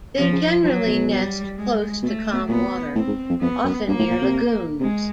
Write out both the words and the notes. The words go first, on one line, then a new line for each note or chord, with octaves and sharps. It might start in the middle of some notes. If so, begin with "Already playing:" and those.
They generally nest close to calm water, often near lagoons.
C3 F3
C#3
F3 F#3
B2
G3
G#3
B2 A3
B2
A#2 B3
A2 C4
G#2
F2
F2 B3
F#2
G2 A#3
A2
A#2
C3
C3 G#3